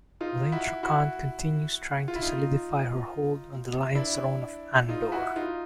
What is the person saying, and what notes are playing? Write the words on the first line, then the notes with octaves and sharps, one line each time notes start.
Elayne Trakand continues trying to solidify her hold on the Lion Throne of Andor.
D#4 F4
E4 F#4
E4 F#4
F4
E4
D#4 F4
D4 E4
D#4 F4
E4 F#4
D#4 F4